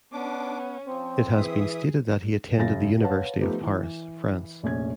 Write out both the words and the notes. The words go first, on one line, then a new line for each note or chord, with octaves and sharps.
It has been stated that he attended the university of Paris, France.
B3 C#4 D4 D6
F3 C4
E3 G#4 E5 D#6
F#2 C#3 F5 A6 A#6
B4 C#5 F5 F#5 A5
F3 A3 B3 D#4 G4 B4
E3
F1 A#1 C#4 G#6